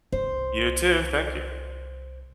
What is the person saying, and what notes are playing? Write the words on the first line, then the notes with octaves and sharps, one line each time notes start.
You, too. Thank you.
C2 C5